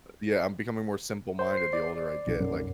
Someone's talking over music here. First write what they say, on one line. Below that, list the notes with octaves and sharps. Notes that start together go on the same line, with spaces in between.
yeah, I'm becoming more simple minded the older I get, like
C5
C7
D5
B1
F#2